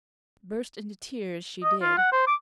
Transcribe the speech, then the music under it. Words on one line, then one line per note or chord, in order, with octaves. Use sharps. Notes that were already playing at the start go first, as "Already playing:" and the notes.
Burst into tears she did.
D#5
F4
F#5
C5
D6